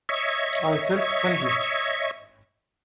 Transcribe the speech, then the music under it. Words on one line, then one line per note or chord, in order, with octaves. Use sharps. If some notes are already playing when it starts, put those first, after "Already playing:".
I felt friendly.
C#5 D#5 E5 C#6